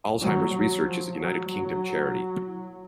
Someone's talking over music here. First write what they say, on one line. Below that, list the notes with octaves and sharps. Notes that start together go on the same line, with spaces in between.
Alzheimer's Research is a United Kingdom charity.
F#3
F#3
F3
F#3
F#3